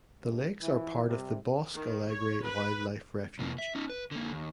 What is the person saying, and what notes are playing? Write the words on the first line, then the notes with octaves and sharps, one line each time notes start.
The lakes are part of the Bosque Alegre Wildlife Refuge.
D2 G2
E3 F3 E4
C3 G3
D#3
C#5
B4
C3 A#3
E5
C#4 D#4
B4
D3 A#3
D#2